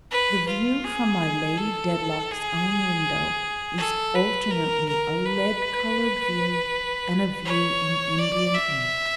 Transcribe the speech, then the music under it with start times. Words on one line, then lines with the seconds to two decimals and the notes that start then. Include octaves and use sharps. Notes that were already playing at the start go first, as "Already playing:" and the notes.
The view from my Lady Dedlock's own windows is alternately a lead-coloured view and a view in Indian ink.
0.11 B4
0.48 F4
0.84 G#4
1.58 A4
2.31 G#4
3.78 A4
4.15 B4
4.51 A#4
4.88 A#4
5.25 B4
7.45 C#5
8.18 D5
8.55 E5